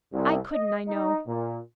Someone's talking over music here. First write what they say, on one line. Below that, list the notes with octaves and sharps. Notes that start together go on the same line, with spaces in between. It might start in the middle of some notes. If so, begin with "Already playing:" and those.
I couldn't, I know.
C2
D#5
D#4
A#2